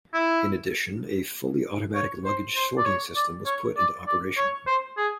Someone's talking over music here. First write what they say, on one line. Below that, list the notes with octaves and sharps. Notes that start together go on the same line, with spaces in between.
In addition, a fully automatic luggage sorting system was put into operation.
E4
C#5
C5
C5
D5
C#5
D5
C#5
D5
D5
C#5
C5
G#4